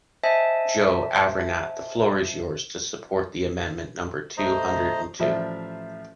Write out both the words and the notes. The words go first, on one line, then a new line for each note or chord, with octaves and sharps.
Joël Aviragnet, the floor is yours, to support the amendment number two hundred and two.
C5 D#5 E5 G#5 A5
A3 C5 D#5 A#5
A1 F3 C5 D5 E5